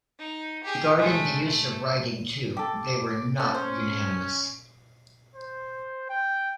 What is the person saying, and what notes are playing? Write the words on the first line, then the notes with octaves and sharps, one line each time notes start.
Regarding the use of writing, too, they were not unanimous.
D#4
G4 G#4
G#3 A3
A3
G4 A4 D6
A3 C4 C#4 F4 F#5
C#4 C5
C5
G5